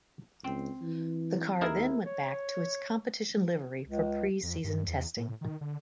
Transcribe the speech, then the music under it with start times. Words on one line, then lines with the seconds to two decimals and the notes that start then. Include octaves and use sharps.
The car then went back to its competition livery for pre season testing.
0.44 C#2 C4
0.81 E3
1.61 D#2 E4 G#4 A#4
2.06 C#5
3.87 C#2
4.43 F2
4.64 G2
4.87 E2
5.17 A2
5.41 D#3
5.61 D3